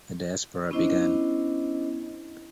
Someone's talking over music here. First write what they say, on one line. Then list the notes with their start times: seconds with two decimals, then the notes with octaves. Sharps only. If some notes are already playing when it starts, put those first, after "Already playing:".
The diaspora began.
0.71 B3 C#4 D4 E4 C5 D#5